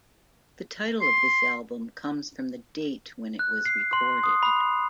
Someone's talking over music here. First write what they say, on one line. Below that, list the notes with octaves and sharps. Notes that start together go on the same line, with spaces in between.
The title of this album comes from the date when it was recorded.
C6
F#6
C7
C6
D#6
B5